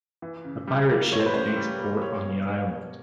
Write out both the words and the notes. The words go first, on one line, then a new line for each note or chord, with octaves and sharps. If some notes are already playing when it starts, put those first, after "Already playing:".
A pirate ship makes port on the island.
E3
C#3
G3
A#3
E3 C#5
C5
B4
C#3 C5
G3
A#3
G3 C#5
B2
B3
B2